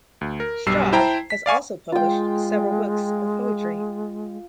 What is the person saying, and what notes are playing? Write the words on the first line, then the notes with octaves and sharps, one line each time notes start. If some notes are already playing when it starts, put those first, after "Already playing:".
Straub has also published several books of poetry.
D2
A#4
B1 G2 G3 E6 C7
E4 C5 G5 A5 A#5
B6
D5 F5 G#5 C#6
G#3 F4 G5